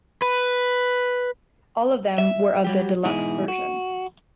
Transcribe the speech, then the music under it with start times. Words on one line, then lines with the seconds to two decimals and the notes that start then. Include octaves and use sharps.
All of them were of the Deluxe version.
0.22 B4
2.18 E5
2.65 F#3 G3 G4
3.04 G#2 B2 E3 D#4 E4 G#4
3.48 F#4